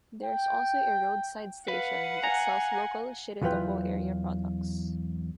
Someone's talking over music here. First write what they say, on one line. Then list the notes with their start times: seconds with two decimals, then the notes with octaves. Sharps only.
There is also a roadside station that sells local Shiretoko-area products.
0.24 G5
1.68 B4 F5 F#5
2.24 G#5 A#5
3.42 E2 E3 F#3 F4 B4 G5